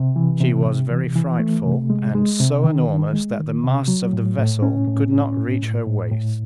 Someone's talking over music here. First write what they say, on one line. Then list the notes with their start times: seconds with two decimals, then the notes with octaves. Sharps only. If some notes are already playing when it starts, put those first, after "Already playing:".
She was very frightful, and so enormous that the masts of the vessel could not reach her waist.
Already playing: C3
0.16 E3
0.41 C3
0.66 C3
0.90 E3
1.15 E3
1.39 A3
1.65 C3
1.90 G#3
2.15 G#3
2.40 C3
2.64 D#3
2.89 D#3
3.13 G#3
3.39 D#3
3.63 C3
3.88 F#3
4.13 A2
4.38 A2
4.62 C#4
4.88 A2
5.12 C#4
5.37 A2
5.62 A2
5.87 A2
6.11 A2